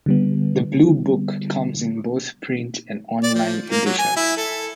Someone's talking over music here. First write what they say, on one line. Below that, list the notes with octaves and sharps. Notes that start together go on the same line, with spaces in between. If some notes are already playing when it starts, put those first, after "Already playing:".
The "Blue Book" comes in both print and online editions.
D3 G3 B3
D5
F3
A#3
F#3
G#5
E4
A4